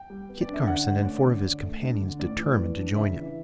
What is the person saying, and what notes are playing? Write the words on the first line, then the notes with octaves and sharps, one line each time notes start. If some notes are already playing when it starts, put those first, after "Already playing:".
Kit Carson and four of his companions determined to join him.
Already playing: G5
G3
B3
D5
D4
E5
D3 F#5
A3
C#4 D5
D3
D3
A3
D4
D3
A2 D5
E3
B3
D4
C#3 E5
E3